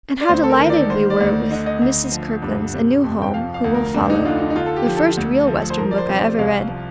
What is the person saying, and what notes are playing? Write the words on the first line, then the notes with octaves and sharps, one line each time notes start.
And how delighted we were with Mrs. Kirkland's "A New Home: Who'll Follow?" the first real Western book I ever read.
D5
D2 C5
A4
A#4
D#3
D5
D2 C5
D5
D2
D3 D#5
D#5
D2
F3
G2
C3
F2
G5
F3 F5
F5
D2
A#4
F2 D4
D#4
D3 F4
D#4
D#4
D3 F4
A4
G4
F3
A4
D2
F3
C5
F3 A#4
D5
C5
C3
D5
C2 F5
F5
F3